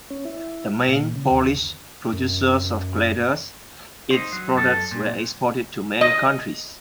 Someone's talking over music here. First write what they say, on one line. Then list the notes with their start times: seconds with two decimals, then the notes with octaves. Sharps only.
The main Polish producer of gliders, its products were exported to many countries.
0.10 C#4
0.25 E4
0.88 A#2
1.16 C#3
1.31 D#2
2.13 F#2
4.10 D#4 C5
4.33 F#3
4.54 F#2 A4
4.91 A#2
6.01 D#5